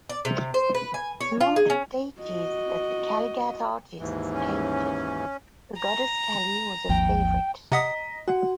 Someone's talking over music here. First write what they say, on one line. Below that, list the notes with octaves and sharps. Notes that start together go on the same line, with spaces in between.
Among the deities that the Kalighat artists painted, the goddess Kali was a favorite.
D5
C3
C5
B4
G#5
C#5
F4
G#4
C#4
F#4 D#5
D#2 G#2 E3
C#4
A#5
G#1 D#2 F3 G5
C3 D#5 F#5 A#5 D#6 B6
F#4 F#5